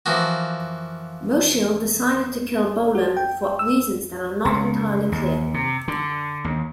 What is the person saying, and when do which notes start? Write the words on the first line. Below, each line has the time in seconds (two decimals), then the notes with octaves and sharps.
Mosheel decided to kill Bolon for reasons that are not entirely clear.
0.06 E3 F3 A#3 F#4
2.95 F#4
3.17 G5
3.59 E6
4.45 C#2
5.12 D#2
5.54 C3
5.88 D3
6.44 D#2